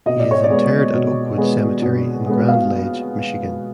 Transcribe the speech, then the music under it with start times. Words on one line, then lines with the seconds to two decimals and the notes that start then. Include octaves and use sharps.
He is interred at Oakwood Cemetery in Grand Ledge, Michigan.
0.06 B2 D#5
0.19 D5
0.31 C#5
0.44 D5
0.50 G#3 B3
0.94 B2
1.38 G#3 B3
1.82 B2
2.26 G#3 B3
2.48 F5